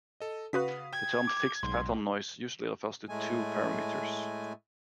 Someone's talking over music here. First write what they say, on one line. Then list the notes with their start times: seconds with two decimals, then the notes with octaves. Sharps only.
The term "fixed pattern noise" usually refers to two parameters.
0.20 A4 D#5
0.53 C#3 F#4 B4 F5 D#6 B6
0.93 G5 G#6
1.27 D6
1.63 B1 G#2 C6
3.09 A2 G#3 A3 G#5